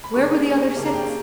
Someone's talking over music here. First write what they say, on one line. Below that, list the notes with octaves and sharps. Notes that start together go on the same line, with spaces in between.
Where were the other six?
B5
C#3 G3 A#3 D4 C#6
C#3 G3 A#3 D4
A#5
G5